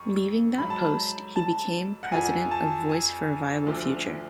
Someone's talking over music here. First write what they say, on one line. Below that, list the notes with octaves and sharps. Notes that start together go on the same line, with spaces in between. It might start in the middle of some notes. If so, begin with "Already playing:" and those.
Leaving that post, he became president of "Voice for a Viable Future".
Already playing: F2 C#6
G#2 F#3 B5
A5
B5
A5
F#5
F2 F3 G#5
A5
G#5
D2 D3 F3